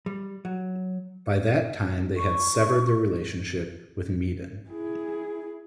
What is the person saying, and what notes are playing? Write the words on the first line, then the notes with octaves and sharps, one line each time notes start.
By that time they had severed their relationship with Meaden.
G3
F#3
C#6
E4 G#4